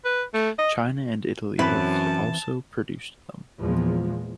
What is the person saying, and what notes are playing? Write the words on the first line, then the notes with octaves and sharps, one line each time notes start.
China and Italy have also produced them.
B4
A3
D#5
F#2 E3 C4 E4 B4 A5
E2 A#2 F3 G#3